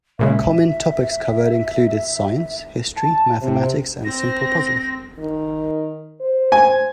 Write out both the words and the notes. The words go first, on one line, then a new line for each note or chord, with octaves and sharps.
Common topics covered included science, history, mathematics, and simple puzzles.
A#2 C#3 G#3 E5
A5
C3
C4 A#6
D#3
C5
G#5